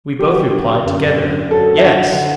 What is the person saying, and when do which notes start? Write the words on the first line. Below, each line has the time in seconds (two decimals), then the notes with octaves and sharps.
We both replied together, 'Yes!'
0.19 F#3 G4
0.27 F#4
0.34 G4
0.53 D3
0.85 F#2
1.19 F#2
1.51 F#3 A4
1.78 E5
1.84 D3 F#5